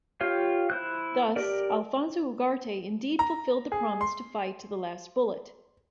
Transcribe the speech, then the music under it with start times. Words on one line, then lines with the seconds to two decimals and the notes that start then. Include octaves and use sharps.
Thus, Alfonso Ugarte indeed fulfilled the promise to fight to the last bullet.
0.21 F4 G4 C#5 F5
0.70 E4 C5 F#6
1.36 G4 A#4 D5
3.19 A#5
3.72 G#4
4.01 C6